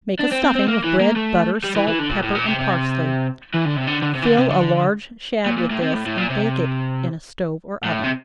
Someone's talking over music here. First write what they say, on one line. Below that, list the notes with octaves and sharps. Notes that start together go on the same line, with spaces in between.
Make a stuffing of bread, butter, salt, pepper and parsley; fill a large shad with this, and bake it in a stove or oven.
D4
C4
C4
C4
A#3
E3
A#3
A3
G3
E3
E3
D3
A#2
A2
A#2
C3
C3
E3
D3
C3
D3
D3
C3
E3
D3
C3
D3
A#2
A#2
A2
C3
A2
A2
A#2
C3
A2
C3